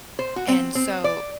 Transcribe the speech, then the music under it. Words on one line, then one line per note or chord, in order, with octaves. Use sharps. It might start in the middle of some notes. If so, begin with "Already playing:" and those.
and so
C5
F#4
C4
C4
D5